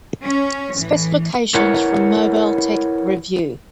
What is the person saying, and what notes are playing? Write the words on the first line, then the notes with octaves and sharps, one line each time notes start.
Specifications from Mobile Tech Review.
C#4
A2 E3
E4 A#4 B4 C#5 F#5